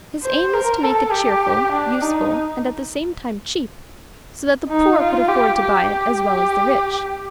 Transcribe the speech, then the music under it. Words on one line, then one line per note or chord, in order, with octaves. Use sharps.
His aim was to make it cheerful, useful and at the same time cheap, so that the poor could afford to buy it as well as the rich.
C5
A#4
A4
G4
D4
D#4
D#4
F4
G4
G4
G4